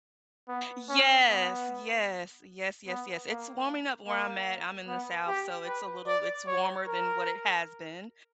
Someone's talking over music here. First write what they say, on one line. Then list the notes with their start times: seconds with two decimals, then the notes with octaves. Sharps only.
Yes. Yes. Yes, yes, yes. It's warming up where I'm at. I'm in the South, so it's a little it's warmer than what it has been.
0.48 B3
0.89 C#4
1.29 B3
2.88 B3
3.28 A#3
4.08 A#3
4.88 B3
5.27 G4
5.67 B4
6.07 D5
6.47 C#5
6.87 A#4